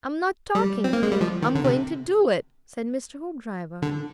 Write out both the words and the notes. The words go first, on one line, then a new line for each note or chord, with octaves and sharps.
"I'm not talking; I'm going to do it," said Mr. Hoopdriver.
G3
C4
A#3
G#3
G3
F3
D#3
D3
C3
D3